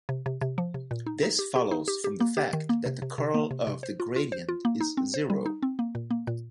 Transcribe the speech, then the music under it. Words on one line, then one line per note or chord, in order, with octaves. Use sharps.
This follows from the fact that the curl of the gradient is zero.
C3
C3
C3
F3
C3
A#2
D#4
D#4
G4
G4
D#4
G4
G4
A#3
G4
D#3
A#3
C3
C3
C3
A#3
C3
C3
C5
F4
F4
C5
F4
A#3
D#4
C4
C5
G3
D#4
C4
A#3
A#2
A#3
A#2